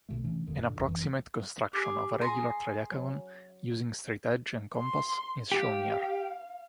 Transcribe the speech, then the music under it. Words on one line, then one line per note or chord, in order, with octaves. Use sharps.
An approximate construction of a regular tridecagon using straightedge and compass is shown here.
B1 B2 D3 A3
C3 E3 A3 C#4
E1 D#2 D3 D#3
G2 A#2 D3
A1 F2
G1 F#2 E3
G4 G#4
G#4 G#5 A#5 C6
F#3
C6
G4 F5